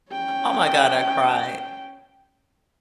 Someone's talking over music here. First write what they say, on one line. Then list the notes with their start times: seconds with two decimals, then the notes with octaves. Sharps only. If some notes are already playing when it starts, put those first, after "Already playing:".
oh my god, I cried.
0.11 C#4 G5